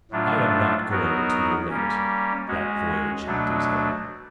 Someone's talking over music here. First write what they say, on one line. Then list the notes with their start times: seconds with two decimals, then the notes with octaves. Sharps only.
I am not going to relate that voyage in detail.
0.11 A2 F#3 A3 D4 F4
0.90 F#3 B3 D#4 F#4 A#4
1.69 G3 A#3 C#4
2.48 G#3 C#4 F#4
3.26 B2 F#3 A3 D4